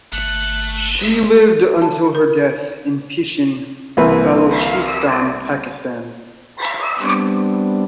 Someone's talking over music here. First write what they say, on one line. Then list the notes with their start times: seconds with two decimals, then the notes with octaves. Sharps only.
She lived until her death in Pishin, Balochistan, Pakistan.
0.12 G1 A3 F#6
1.82 A5
2.15 A#4
3.97 C2 E3 A#3 B4
6.99 G3 B3 C4 D4